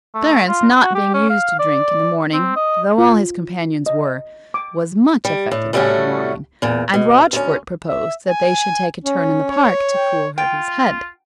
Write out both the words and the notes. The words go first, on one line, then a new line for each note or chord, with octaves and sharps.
Clarence not being used to drink in a morning, though all his companions were, was much affected by the wine, and Rochfort proposed that they should take a turn in the park to cool Hervey's head.
A3
F4
F#4
G4
C#4
F5
D5
C4
D#5
F4
D#5
D6
G3
A2
A2 G3 A3 C#4 F#4
E2 A#2
B2
D2 C#4
E5
G#5
C#4
C#5
G5
F4 G5